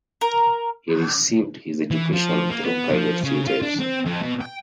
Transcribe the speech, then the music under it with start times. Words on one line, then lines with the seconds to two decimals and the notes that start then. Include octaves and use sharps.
He received his education through private tutors.
0.21 A#4
1.91 E3
2.13 F3
2.49 A#3
2.62 B3
2.92 F3
3.24 C#3
3.47 F4
3.62 D4
3.80 C4
4.06 F2
4.21 B2
4.41 G5